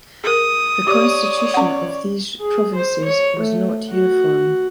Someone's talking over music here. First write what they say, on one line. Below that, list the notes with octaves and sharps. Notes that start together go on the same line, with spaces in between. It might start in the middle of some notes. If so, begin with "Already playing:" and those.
The constitution of these provinces was not uniform.
G#4 A#4 D#6
G4 C#5 D5 D6
C#4 F#5
G#4
C5
C#5
A3
F#4